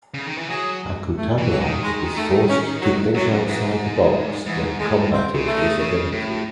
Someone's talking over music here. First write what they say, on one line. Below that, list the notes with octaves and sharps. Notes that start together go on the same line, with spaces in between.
Akutagawa is forced to think outside the box when combatting his ability.
C#3
D#3
E3
F#3 G#4
A3
E3
F#3
D#3
G#3
A3
C#4
F#3
F#2 F#3
G#2 E3
G#2 E3
A2 G#3
C4
C#3
A3
D#3
C#3
A2